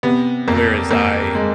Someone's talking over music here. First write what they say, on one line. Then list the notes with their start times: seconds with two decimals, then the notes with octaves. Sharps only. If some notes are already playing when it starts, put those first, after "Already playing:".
whereas I
0.03 C3 B3
0.48 F2 A#3
0.91 F2 A#3
1.35 G#3